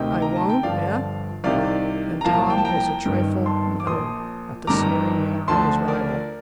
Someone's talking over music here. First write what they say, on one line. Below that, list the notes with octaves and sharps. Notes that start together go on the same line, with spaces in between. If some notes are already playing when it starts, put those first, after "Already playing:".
"I won't, eh?" and Tom was a trifle nettled at the sneering manner of his rival.
Already playing: D2 C3 D#3 D#5 G5
A#5
A5
G5
G1 G2 D3 F3 D5 F5
C2 C3 D#3 D5 F5
A#5
C2 A#2 F3 F5 A5
G5
A5
G5 A#5
G1 G2 D#3
A5 C6
D6
A#1 A#2 F3 C6 D#6
G1 G2 D#3 A#5 D6
D2 D3 F3 A5 C6
A#4 D5